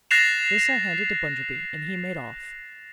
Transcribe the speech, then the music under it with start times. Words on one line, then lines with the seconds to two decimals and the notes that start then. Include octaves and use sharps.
This I handed to Bunderby and he made off.
0.11 F#6 A6 A#6 C7 E7 F7